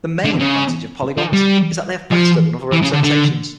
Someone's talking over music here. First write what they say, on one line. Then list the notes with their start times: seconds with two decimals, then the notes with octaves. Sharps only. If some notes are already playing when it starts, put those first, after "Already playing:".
The main advantage of polygons is that they are faster than other representations.
0.25 D3
0.40 C#3
1.18 F3
1.33 G3
2.11 F3
2.72 E3
2.83 C#3
2.94 D3
3.04 D3